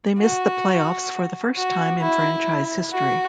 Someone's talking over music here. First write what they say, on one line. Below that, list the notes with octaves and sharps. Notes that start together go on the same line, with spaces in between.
They missed the playoffs for the first time in franchise history.
F#4
F#4
E4
F#4